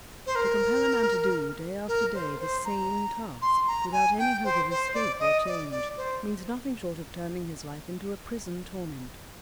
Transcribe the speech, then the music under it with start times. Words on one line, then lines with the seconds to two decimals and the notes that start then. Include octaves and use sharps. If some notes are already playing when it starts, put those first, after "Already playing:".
To compel a man to do day after day the same task, without any hope of escape or change, means nothing short of turning his life into a prison-torment.
0.26 C5
0.35 A#4
1.88 A#4
2.14 C5
2.36 A#4
2.40 C5
2.65 A#5
3.42 C6
3.67 A#5
3.92 G#5
4.19 G5
4.44 C5
4.70 C5
4.94 D5
5.20 D#5
5.47 D5
5.71 D5
5.97 C5